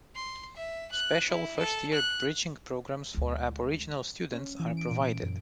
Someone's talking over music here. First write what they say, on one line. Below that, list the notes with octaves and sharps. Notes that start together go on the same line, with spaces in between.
Special first-year bridging programs for Aboriginal students are provided.
C6
E5
F#6
E4
A4
F#6
D2 G#3
C#4
E3
D7
A#2
F#2